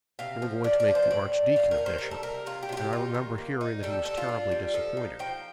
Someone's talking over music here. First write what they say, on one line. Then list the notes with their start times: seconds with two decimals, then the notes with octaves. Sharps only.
They were going to make the archdeacon a bishop, and I remember hearing that he was terribly disappointed.
0.19 C3 F5
0.42 F3
0.64 F3 D5
0.80 D5
0.88 F3
0.95 C5
1.10 A2 D5
1.33 A2
1.56 A2 F5
1.71 A#4
1.78 D#4
1.86 C5
1.98 G3 A#4
2.11 A4
2.23 C3 A#4
2.46 C3 F4
2.63 G4
2.69 C3 F4
2.77 G4
2.93 D#4 F4
3.14 D#3
3.38 A#3
3.61 D#4
3.83 G3 A4
4.06 D3 A4
4.17 F4
4.29 D4
4.51 G3
4.74 F3 A4
4.97 D#4
5.19 F3 G5